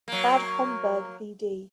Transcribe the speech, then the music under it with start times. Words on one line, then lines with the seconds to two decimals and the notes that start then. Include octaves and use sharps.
Bad Homburg v.d.
0.08 F#3 A#3